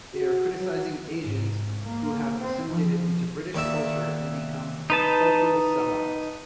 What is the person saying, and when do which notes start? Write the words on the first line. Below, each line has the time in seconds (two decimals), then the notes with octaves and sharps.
They are criticising Asians who have assimilated into British culture and become cultural sell-outs.
0.13 F#4
0.57 F#3
1.19 G#2
1.84 A#3
2.41 C4
2.71 F3
3.55 D#2 D5 E5
4.90 D#4 B4 A5